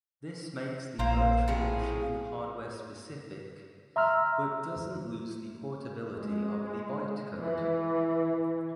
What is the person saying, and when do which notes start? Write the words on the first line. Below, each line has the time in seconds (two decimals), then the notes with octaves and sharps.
This makes the virtual machine hardware-specific, but doesn't lose the portability of the bytecode.
0.99 A#1 A#3 C5 A#5
1.48 A2 F3 G#4
3.96 E5 A#5 C6 E6 F6
6.19 G#3
7.38 E3